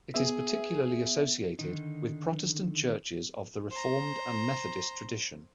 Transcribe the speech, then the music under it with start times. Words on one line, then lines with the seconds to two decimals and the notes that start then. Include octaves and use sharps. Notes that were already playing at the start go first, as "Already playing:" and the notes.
It is particularly associated with Protestant churches of the Reformed and Methodist tradition.
0.14 B3 G#4 E5
1.59 D3 D#3 D#4
3.71 C5 A#5